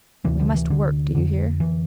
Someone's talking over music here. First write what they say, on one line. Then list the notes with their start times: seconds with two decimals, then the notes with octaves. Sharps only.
We must work, do you hear?
0.24 D2 C3 E3
0.40 D3 F3
0.55 E3
0.70 D3
1.15 F2 D3
1.60 E3